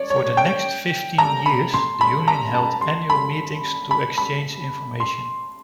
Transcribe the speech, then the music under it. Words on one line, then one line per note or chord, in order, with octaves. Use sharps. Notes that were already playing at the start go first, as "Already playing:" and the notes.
For the next fifteen years the Union held annual meetings to exchange information.
Already playing: C#5 D5
C#5
G5
A#5
B5
C6
B5
A#5
A5
C6
B5
B5
B5
C6